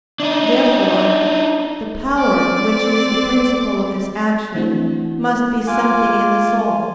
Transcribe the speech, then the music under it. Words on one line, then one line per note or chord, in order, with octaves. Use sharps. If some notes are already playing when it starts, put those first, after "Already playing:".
Therefore the power which is the principle of this action must be something in the soul.
D4 D#4
C4 D5
E3 A3 C4 D4 E4 F#4
F4 G#5 D6